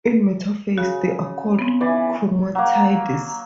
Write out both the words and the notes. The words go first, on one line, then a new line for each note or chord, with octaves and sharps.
In metaphase, they are called chromatids.
C#3 F#4
B3 C4
E3 D5 G#5
F#3 A#3